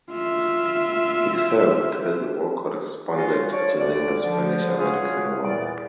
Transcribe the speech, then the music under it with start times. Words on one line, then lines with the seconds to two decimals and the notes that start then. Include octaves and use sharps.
He served as a war correspondent during the Spanish-American War.
0.11 F4 E5
3.16 C#4 F4 F#4
3.52 F3 C#5 D5
3.80 D2 D5
4.24 D3 F3
4.79 C#4 F4 F#4 G#4
5.43 E2 A#2 D5